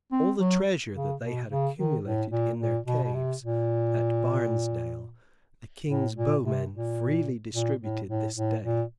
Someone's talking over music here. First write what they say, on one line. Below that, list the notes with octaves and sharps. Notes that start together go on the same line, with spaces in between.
All the treasure that they had accumulated in their caves at Barnesdale the King's bowmen freely distributed this day.
C4
F#3
C#3
B2
C#3
D#3
A2
A#2
A#2
B2
B2
C3
A#2
A2
A#2
C3
A#2
A#2
A2
A2
A2
A#2